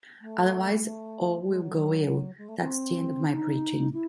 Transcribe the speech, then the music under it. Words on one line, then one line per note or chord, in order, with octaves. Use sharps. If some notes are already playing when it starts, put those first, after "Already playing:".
Otherwise, all will go ill. That's the end of my preaching.
A3
A3
G#3
F#3
G#3
A3
C4
D#4
E4